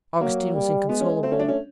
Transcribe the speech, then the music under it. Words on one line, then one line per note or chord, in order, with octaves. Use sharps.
Augustine was inconsolable.
F#3 A#3
G3
G#3 B3
C#4
A3 C4
C#4
D4
C#4